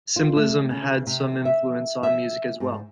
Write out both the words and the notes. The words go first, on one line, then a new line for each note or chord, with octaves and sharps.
Symbolism had some influence on music as well.
F4
A3
C#3
C3
E5
E5
G#2